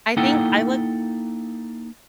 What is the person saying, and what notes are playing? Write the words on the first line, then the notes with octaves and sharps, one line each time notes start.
I think I look
A#3 D#4 E4 A4 F#5 G5